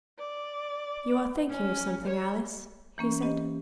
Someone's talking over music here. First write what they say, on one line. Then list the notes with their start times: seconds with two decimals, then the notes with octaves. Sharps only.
"You are thinking of something, Alice," he said.
0.19 D5
1.50 C#4
2.06 C#5
2.98 E3 A#3 C#4
3.22 G4 D#5